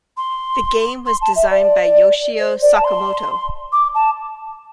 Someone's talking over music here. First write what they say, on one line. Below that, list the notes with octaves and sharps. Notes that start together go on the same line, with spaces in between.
The game was designed by Yoshio Sakamoto.
C6
C6
A5
E5
D5
C5
D5
A5
C6
D6
A5